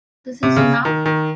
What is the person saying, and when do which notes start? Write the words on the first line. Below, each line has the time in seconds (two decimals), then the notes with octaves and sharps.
This Is Now.
0.43 C3
0.57 C#3
0.85 D#3
1.06 D#3